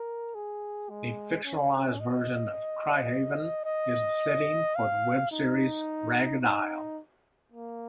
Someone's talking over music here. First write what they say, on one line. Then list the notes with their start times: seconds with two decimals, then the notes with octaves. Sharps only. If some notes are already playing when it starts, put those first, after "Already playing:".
A fictionalized version of Criehaven is the setting for the web series Ragged Isle.
Already playing: A#4
0.35 G#4
0.90 G#3
1.44 C#4
2.00 D#5
3.65 D#5
4.76 F5
5.31 D#4
6.41 D#4
7.52 A#3